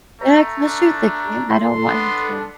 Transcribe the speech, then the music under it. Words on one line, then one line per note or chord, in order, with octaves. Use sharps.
Yeah, especially with a kid. And I don't want him to
A3 A#5
D4
A4 C6
B3 D4